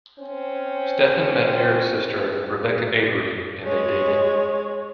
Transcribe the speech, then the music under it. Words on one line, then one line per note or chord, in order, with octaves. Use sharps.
Stephen met Eric's sister, Rebecca Avery, and they dated.
C4 C#4 C5
G#3 C#5